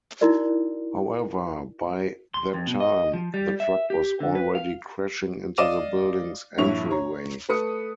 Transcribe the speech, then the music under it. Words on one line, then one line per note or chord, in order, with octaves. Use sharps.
However, by that time the truck was already crashing into the building's entryway.
D#4 E4 F#4 A#4 D5
C6
F2
B2
D#5
F3
G3
E5
G4
D3
B4
F5
D5 D#5 F5 D6 D#7 E7
A#1 G2 E4 C#5 C#6 F7
C#5 A#5
A3 B4 D#6 C#7